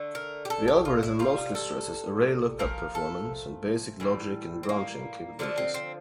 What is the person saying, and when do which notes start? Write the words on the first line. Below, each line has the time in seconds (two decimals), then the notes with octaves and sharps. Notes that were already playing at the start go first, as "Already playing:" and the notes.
The algorithm mostly stresses array lookup performance and basic logic and branching capabilities.
Already playing: D3 A3
0.15 A#4
0.45 G4
0.50 A4
0.68 G4
0.85 F4
1.03 E4
1.19 C3 G3 F4
1.55 A4
2.59 A#2 F3 A3 A#4
2.95 A4
4.00 A2 E3 G3
4.63 C4
4.69 A#3
5.39 D3 F3 A3 D4
5.58 C4
5.74 C4